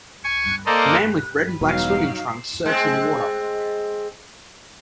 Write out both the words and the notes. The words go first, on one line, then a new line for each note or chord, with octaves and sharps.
A man with red and black swimming trunks surfs in the water.
G#5 C#6
A#3 A4 A#4 C5 D5 D#5
E1 B2 F#3 D#4 F5
G#3 C4